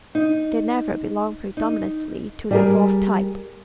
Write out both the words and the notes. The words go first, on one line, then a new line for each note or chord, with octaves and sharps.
They never belong predominately to the fourth type.
D#4
D#4
G3 G#4 A#4